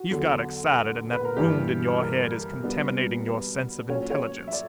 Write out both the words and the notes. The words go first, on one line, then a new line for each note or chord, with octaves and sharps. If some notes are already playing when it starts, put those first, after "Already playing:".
You've got excited, and that wound in your head is contaminating your sense of intelligence.
Already playing: F#4
E2 D3 F#3
B4
A#4
G2 E3 G3 A#3 G4
A#4
A#4
B2 G3 B3 D4
B4
A#2 F#3 C#4 C#5
C#5
E5
D5